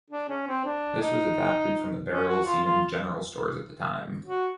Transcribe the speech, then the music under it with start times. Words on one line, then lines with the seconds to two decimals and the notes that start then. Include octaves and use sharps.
This was adapted from the barrels seen in general stores at the time.
0.11 D4
0.29 C#4
0.48 C4
0.65 D4
1.01 D#4
2.10 C#4
2.28 F#4
2.45 F4
2.64 F4
4.26 F#4